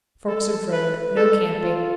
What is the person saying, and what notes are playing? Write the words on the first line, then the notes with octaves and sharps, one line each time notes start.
Forks of Road.--No camping.
A4
B4
A4
F4